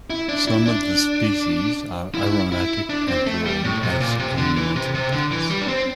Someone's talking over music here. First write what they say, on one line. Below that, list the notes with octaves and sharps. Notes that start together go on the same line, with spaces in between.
Some of the species are aromatic and grown as ornamental plants.
E4
D4
E4
D4
E4
E4
D4
C4
A3
G3
A2
C3
A#2
C3
D3
E3
C3
C3
D3
E3
G3
D4
C4